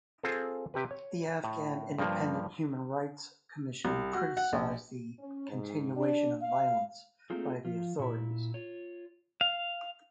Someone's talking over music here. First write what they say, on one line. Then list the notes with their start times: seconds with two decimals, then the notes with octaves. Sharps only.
The Afghan Independent Human Rights Commission criticised the "continuation of violence" by the authorities.
0.23 C4 F4 G#4 A4
0.74 C3 G4 B4
0.91 C#5
1.44 A2
1.98 G2 F3 A#3
3.85 C2
4.13 F#4
4.37 F#5
4.53 A#1
5.19 C#4
5.49 G#2
5.96 D4
6.42 F5
7.30 A3 A#3 C4 D#4 F4 G#4
7.65 F3 F4
7.99 A#2 E4
8.54 F4 C#5
9.41 F5